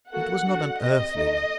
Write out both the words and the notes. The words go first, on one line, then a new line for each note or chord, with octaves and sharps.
It was not an earthly love.
A#3 F#4 A4 F#5
D4 F#4 A4
C4 G4 D#5
A3 D#4 A4